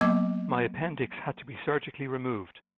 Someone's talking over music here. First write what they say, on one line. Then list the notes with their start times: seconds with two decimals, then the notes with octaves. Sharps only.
My appendix had to be surgically removed.
0.01 F#3 A#3 B3 D#5 D6